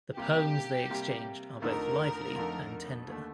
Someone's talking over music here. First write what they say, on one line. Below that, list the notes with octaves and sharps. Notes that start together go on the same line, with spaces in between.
The poems they exchanged are both lively and tender.
C3 G3 A#3 G4
C3 G3 A#3
F2 D3 F3 A3 D#4 A#4
F2 D3 F3 A3 D#4
D#2 D3 A3